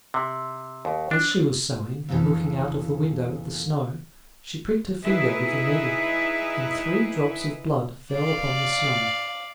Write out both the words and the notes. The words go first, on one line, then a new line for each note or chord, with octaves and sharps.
As she was sewing and looking out of the window at the snow, she pricked her finger with the needle, and three drops of blood fell upon the snow.
C3
D#2
D4
F2 A#2 C#3 E3 A4
D#4 E4 G#4 B4 E5
D5 F5